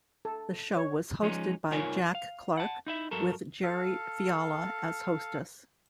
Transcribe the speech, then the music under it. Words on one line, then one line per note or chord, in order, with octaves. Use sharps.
The show was hosted by Jack Clark, with Jerri Fiala as hostess.
A4
C#5
F3 G#3 C#4 D#4
C2 D#4 F4 A#4 C#5 G#5
F5
F#5 A5
D#4 E4 E5
G2 F#3 A4 A#4
A4 F5